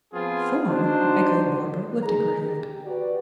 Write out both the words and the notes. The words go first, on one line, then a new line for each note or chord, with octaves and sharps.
"Thorn!" echoed Barbara, lifting her head.
F3 B3 C4 F4 G#4
D4 D#4 F#4 C5
D#3 G#4 A#5
G4
F#4 G4 B4 D5